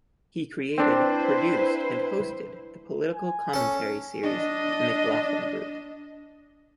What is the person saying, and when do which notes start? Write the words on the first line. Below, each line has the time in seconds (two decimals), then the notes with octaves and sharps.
He created, produced, and hosted the political commentary series The McLaughlin Group.
0.78 C4 D4 E4 B4 C5
3.15 G#5
3.54 C#4 A4
4.23 D4 D#5